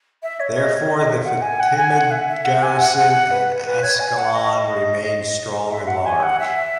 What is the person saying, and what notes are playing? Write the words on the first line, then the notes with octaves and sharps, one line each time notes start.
Therefore, the Fatimid garrison in Ascalon remained strong and large.
E5
C#5
D#5
C#5
D#5
E5
F#5
G#5
F#5
G#5
F#5
E5
E5
F#5
G#5
F#5
F#5
B4
B4
C#5
G#5
F#5
D#5
E5
F#5
G#5
F#5
E5